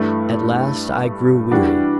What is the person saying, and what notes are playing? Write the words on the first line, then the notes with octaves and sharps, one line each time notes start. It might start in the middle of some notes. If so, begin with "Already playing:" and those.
At last I grew weary.
Already playing: G2 E3 A3
E3 G3 D4 F#4